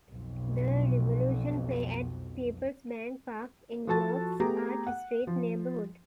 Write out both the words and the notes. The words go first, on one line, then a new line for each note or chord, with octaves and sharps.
The Revolution play at PeoplesBank Park in York's Arch Street neighborhood.
B1 F2
F3 F#4 A4 A5 A6
A3 B3 G4 G#4 A#5 D6
F#5
F3